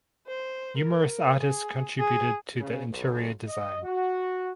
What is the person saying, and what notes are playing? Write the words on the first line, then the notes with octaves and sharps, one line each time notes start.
Numerous artists contributed to the interior design.
C5
A#4
G#4
G#4
C#3
B1
D#5
F#4